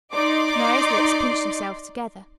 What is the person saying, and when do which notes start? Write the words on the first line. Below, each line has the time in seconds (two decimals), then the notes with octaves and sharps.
Mary's lips pinched themselves together.
0.14 D#4 D5 D#5 C6 D6